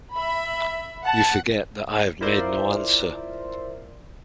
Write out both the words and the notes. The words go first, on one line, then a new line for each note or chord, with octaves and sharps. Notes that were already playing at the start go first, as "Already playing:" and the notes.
You forget that I have made no answer.
E5 B5
F#5 A5
E4 F4 A#4 C5 D5 E5